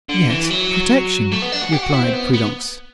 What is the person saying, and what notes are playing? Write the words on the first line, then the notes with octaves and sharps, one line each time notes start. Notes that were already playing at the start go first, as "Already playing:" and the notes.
"Yes, protection," replied Prudence.
D3
E3
F#3
A3
B3
D4
F#4
G4
F#4
E4
C4
B3
B3